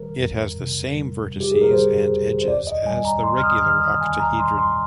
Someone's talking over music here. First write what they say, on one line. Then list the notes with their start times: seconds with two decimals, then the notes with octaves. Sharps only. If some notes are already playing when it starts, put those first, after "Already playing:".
It has the same vertices and edges as the regular octahedron.
Already playing: D#3 G3 A#4
0.19 F2
0.57 C3
0.94 G3
1.34 G3
1.40 G4
1.52 G#4
1.61 A#4
1.71 G3 C5
2.10 F2
2.42 C5
2.48 D#2 D5
2.67 D#5
2.86 G3 G#5
3.05 A#5
3.24 D#2 C6
3.38 F6
3.44 D#6
3.63 D#3 F6
3.82 D#6
4.01 D#2 G#5
4.20 A#5
4.39 G3 C6
4.59 C6